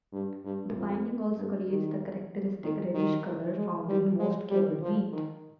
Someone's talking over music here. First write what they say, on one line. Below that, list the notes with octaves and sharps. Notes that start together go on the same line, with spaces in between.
The binding also creates the characteristic reddish color found in most cured meat.
G2
G2
F2
G2
D#3
D#3
D#3
G#3
G3
G#3
G3
F3
D#3